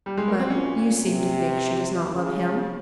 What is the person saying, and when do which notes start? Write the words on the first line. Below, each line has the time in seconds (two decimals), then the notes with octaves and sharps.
"But you seem to think she does not love him!"
0.06 G3
0.17 G#3
0.28 A#3
0.39 C4
0.50 A#2 C#4
1.04 C3
2.13 C#3